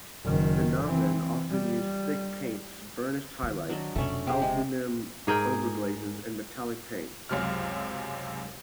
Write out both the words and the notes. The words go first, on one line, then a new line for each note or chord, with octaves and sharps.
Donovan often used thick paints, burnished highlights, albumen overglazes and metallic paints.
F#1 D#3
E3 C4
G3
D#3
F#3 D4 D#5
F1 B2 A3 C#4 D4
C3 G4 G#4
G#3
G#2 G#4 A#4 G5
C#2 F#2 C3 F6